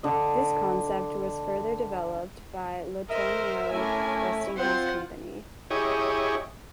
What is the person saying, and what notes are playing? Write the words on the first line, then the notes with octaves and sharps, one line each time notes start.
This concept was further developed by LeTourneau Westinghouse Company.
D3 D#5
A#4 C5 D#5 E5
A3 C#4 D4 E4 A#4 G#5
C4 F4 C5 F#5
E4 G4 G#4 C#5 D#5